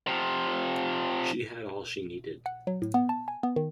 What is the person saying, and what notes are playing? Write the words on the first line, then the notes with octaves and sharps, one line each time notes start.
She had all she needed.
C3 F3
F#5
F#3
A2
B3
A5
G#5
B3
D#3